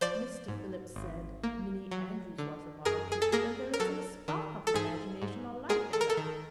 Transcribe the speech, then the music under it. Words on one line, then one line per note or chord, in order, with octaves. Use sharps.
Mr. Phillips said Minnie Andrews was a model pupil and there isn't a spark of imagination or life in her.
F3 C5 D5
G#2
G#1
A#3
F#3
D3
F#2 G#4 A#4
G#4
A4
A#3 G#4 A#4
A#4
F#3 A4
D#3
A4
G#2 G#4
G#2
G#3 G#4 A#4
A4
A#4
A4
D#3